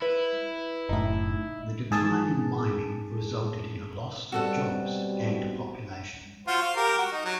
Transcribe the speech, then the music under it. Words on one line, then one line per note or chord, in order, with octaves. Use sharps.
The decline in mining resulted in a loss of jobs and population.
E4 B4
F#1 A2 D#4 E5
G#2 G#4 A5
B2 G3 C4 F#4 A4 F#5
F4 F#4 C5
F5
G4 A#4
F#4
D#4
F#3